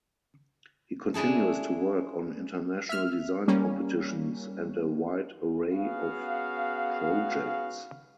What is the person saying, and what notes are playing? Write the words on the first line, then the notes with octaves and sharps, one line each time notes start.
He continues to work on international design competitions and a wide array of projects.
C#4 D4 E4 G#4 A4
E5 F6
G3 A#3 C#4
B3 C#4 F#4 G#4 F5